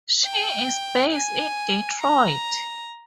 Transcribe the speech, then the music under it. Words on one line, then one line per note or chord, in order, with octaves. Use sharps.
She is based in Detroit.
G5
G#5
A#5